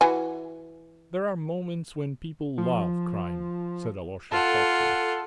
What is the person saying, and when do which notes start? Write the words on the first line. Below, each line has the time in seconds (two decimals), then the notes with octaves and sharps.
"There are moments when people love crime," said Alyosha thoughtfully.
0.01 E3 F#4 G#5
2.58 F3
4.32 F4 A4 F#5